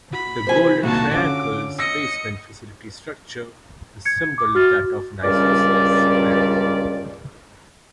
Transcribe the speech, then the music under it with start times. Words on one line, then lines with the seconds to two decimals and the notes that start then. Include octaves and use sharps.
The Golden Triangle's basement facility structure resembled that of an isosceles triangle.
0.13 F#4 B5
0.47 C3 F3 C5 G#5
0.83 C2 A#2 D#3 F#4 A5
1.12 D3 C#4 F4 D6
1.79 D#5 E6 A#6 C#7
4.05 G#6 C#7
4.38 D6
4.55 F#4 F6 A6
5.23 C#2 G2 A#2 G3 C#4 D5